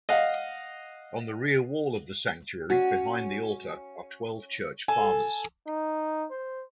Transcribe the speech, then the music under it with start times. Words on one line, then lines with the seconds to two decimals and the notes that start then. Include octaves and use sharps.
On the rear wall of the sanctuary, behind the altar, are Twelve Church Fathers.
0.09 D#5 F5 F#5
2.70 C#4 F#4
4.88 A4 G#5
5.67 D#4
6.31 C5